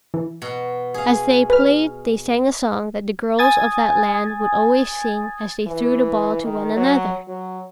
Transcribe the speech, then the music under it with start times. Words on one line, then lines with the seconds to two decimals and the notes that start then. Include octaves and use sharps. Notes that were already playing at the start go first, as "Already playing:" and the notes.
As they played they sang a song that the girls of that land would always sing as they threw the ball to one another.
0.14 E3
0.42 B2
0.94 G#4 F5
1.50 B4 F6
3.39 G#5 D#6 G#6 A6
5.67 E3
6.43 D#3
6.76 F#3
7.28 F#3